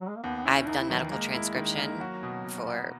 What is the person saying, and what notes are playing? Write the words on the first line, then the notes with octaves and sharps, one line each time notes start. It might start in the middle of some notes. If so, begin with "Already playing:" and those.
I've done medical transcription for
F#3
G#3
A#3
D#2 B3
B3
C#4 E4
D#2 D#4
E4
D#3 F#3
E3
G#3 A#3
E4
D#3
A#3
F#3 F#4
B2
B2
B3